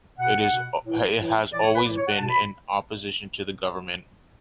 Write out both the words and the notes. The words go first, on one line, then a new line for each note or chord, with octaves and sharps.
It has always been in opposition to the government.
B2 F#5
B2
A2 E3
A2 E3
A2 E3 D5
C#5
B4
A2 E3 D5
C#5
F#5
B2 A5
B5